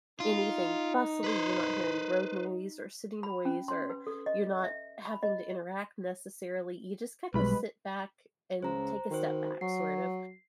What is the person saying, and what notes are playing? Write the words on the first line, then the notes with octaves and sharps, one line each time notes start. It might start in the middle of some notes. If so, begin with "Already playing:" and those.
anything bustily, you're not hearing road noise, or city noise, or you're not having to interact necessarily, you just kinda sit back, and take a step back sort of,
D#4 F4
B4 C5
B5
C#4
C6
B4
A4
D#5
E5
B5
D#5
B1 G3 G#3 B4 B5
C#2 C5 A#5
D#3 F#4 B4 C5
F#3 C7